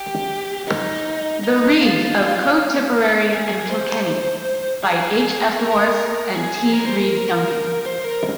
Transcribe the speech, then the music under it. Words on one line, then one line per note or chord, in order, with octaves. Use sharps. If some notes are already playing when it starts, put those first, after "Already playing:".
"The Reades of Co Tipperary and Kilkenny" By H F Morris and T Reade-Duncan.
Already playing: G4
D#4
D#4
F4
G#4
C5
G#4
A#4
G#4
A#4
C5
A#4
C5
A#4